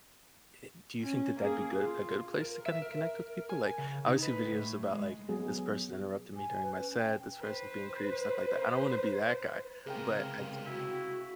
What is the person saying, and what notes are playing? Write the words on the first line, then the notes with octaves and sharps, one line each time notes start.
eh do you think that that'd be good a good place to kinda connect with people? Like, I always see videos about, like, this person interrupting me during my set, this person's being creep stuff like that, I don't wanna be that guy. But I'd j
C#4
A#3 G#4
F4
A#4
E5
A#4
G#5
C#3
D#4
B4
A2
G#3
F#3 B3 F#4 G#4
G#5
B4
C#4
G5
B4 C5
C#2 C3 G#4 A#4 F5 G5
E4 F#4